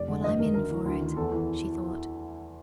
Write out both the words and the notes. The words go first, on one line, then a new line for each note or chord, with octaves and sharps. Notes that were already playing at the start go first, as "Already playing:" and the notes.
"Well, I'm in for it," she thought.
Already playing: F1 D5
D3
G1 D#5
D#3 A#4
D2 A#4
E3
D2
D#3
E2 A4
E3